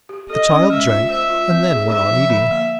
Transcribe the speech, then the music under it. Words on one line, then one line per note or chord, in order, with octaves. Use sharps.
The child drank, and then went on eating.
G4
A4 D#5
C#4
G#3 E5
F4
C5 E5
F4
C4
G#4
D#4 E5
F3
D3
A#3